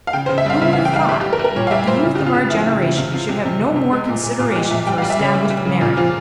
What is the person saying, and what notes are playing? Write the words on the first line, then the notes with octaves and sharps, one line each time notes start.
Who would have thought that the youth of our generation should have no more consideration for established merit?
F5
C#3 G5
C5
C#3
E5
G3 F5
C#3 E5
F5
E3
G5
G3 F5
G3 E5
G4
G3
A#4
G3
A#4
A#2 C#5
F5
G3 E5
A#2 C5
C#3
C#3 G4
F4
C#3
F3 E4
C#3 E4
C#3 E4
C3 F4
C3 F4
C3 G4
C3
C3
C3
G#3
A#2
A#2
A#2 F4
G#3 G4
A#2 E5
G3 G5
F5
G3
E5
C#3 C#5
G3
G3
C#3
A#2 F4
F3 F4